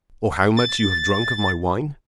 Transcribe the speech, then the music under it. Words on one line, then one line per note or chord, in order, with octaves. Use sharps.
"Or how much you have drank of my wine?"
A6